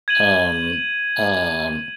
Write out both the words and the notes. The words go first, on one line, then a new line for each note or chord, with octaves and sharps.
Um, um,
G#6 D#7 F#7